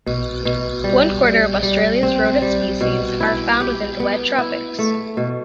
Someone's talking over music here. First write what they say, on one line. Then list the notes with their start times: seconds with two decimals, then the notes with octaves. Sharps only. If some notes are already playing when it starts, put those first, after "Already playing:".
One quarter of Australia's rodent species are found within the Wet Tropics.
0.06 B2
0.45 B2
0.84 G3
1.24 G3
1.63 G3
2.03 C4
2.42 G3
2.81 B2
3.20 E4
3.60 G4
4.00 B3
4.38 E4
4.79 A3
5.17 B2